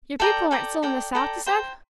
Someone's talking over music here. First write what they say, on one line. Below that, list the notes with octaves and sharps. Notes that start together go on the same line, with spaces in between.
"Your people aren't still in the South, you said?"
A4 D5 G5 A#5
A4 D5 G5 A#5
A4 D5 G5 A#5
A4 D5 G5 A#5
C5 G5 A#5